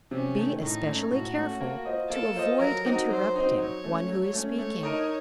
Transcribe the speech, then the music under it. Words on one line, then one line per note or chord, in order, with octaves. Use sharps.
Be especially careful to avoid interrupting one who is speaking.
C3 C#4
D#3 A3
A2 D#4
A3 C#4 A4 C#5
A2 F#4
A3 C#4 A4 C#5
A#3
F4 C5 D#5
A#3 A4
F4 C5 D#5
F#3 A#4
C4 D#4 F#4
F#3 C5
C4 D#4 F#4
F#3 C#5
A3 C#4
F#3
A3 C#4
A3 C#5
D#4 A#4 D#5